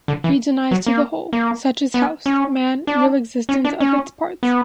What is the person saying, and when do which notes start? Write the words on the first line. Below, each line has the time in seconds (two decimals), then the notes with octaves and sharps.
He denies to the whole, such as house, man, real existence of its parts.
0.08 D3
0.24 E3
0.71 F#3
0.87 A#3
1.33 A#3
1.94 B3
2.26 C#4
2.87 D4
3.49 C#4
3.65 D4
3.80 C#4
4.43 B3